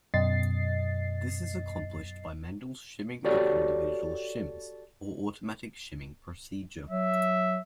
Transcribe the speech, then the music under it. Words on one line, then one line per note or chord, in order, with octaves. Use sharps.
This is accomplished by manual shimming of individual shims, or automatic shimming procedure.
F#2 B2 D#5 A6 C7
F#4 G4 A4 C#5 D5
F#3 E5